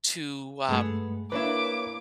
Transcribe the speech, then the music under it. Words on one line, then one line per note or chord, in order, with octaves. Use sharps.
to, uh,
G2 G#3 A3 B3 G#4 A4
E3 A#3 D4 E4 B4 C#5 D6